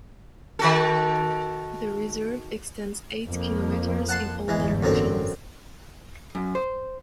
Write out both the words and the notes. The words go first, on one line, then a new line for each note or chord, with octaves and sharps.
The reserve extends eight kilometers in all directions.
D#3 F#4 A4
F2 F3 A#3
F#5 A5 C6
G1 E2 G#2 E3 G#3
F#2 D3 C4
F#2
C5